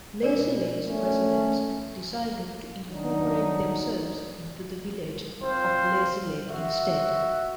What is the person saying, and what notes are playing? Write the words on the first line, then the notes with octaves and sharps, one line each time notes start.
Lazy Lake's residents decided to incorporate themselves into the Village of Lazy Lake instead.
B2 D4 A#4 D5
A3 C#4
D#3 F#3 D4 D#4
C4 F4 C5
F#4 E5